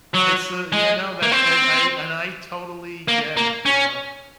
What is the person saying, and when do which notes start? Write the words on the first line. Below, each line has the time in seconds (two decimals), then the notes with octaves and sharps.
It's a you know that that I and I totally get it, you know,
0.14 F#3
0.72 G#3
1.22 A#3
1.31 C4
3.08 A#3
3.37 A#3
3.66 C#4